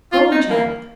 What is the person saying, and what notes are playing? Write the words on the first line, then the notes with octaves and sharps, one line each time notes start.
Golden child.
F4
D#4
A#3